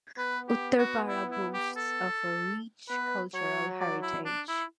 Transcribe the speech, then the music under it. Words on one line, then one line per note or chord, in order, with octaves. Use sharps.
Uttarpara boasts of a rich cultural heritage.
B3 B4
G4
F#4
E4
E4
G4
A4
B3 B4
F#3 C#5
D5
E4
D4
E4